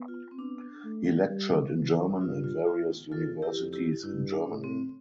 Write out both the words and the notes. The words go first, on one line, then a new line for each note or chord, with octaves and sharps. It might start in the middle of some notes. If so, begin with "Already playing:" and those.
He lectured in German at various universities in Germany.
Already playing: B3
F4
C4
B3 D4
A3
G3
E3
G2 F4
F4
F4
E2 F4 A4
E4 G4
F2
E4 G4
G2 E4
D4
A2
C4